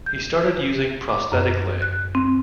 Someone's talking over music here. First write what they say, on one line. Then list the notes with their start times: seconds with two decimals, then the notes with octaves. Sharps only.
He started using prosthetic leg.
0.06 G6
1.09 D6
1.32 F#2
1.82 F#6
2.15 C4